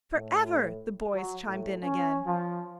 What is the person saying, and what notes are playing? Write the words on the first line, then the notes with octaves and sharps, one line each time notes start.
"For ever!" the boys chimed in again.
A2
F#3
A2
C#4
F3